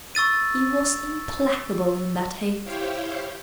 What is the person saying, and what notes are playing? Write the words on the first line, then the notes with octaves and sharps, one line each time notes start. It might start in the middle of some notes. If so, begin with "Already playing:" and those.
He was implacable in that hate.
C#6 E6 A6 D#7
E4 G4 C5 C#5 F5 G5